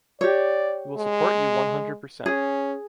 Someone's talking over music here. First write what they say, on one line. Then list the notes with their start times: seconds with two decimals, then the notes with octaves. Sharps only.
We will support you, one hundred percent!
0.21 G4 C#5 D5
0.97 G#3
2.26 C#4 G#4